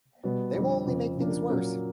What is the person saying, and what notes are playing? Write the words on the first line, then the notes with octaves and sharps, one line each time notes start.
They will only make things worse.
B2 G3 B3
F2 D3 G3
F2 C#3 F3
F2 C#3 F3 A#3 D4
A#2 F#3 A#3 C#4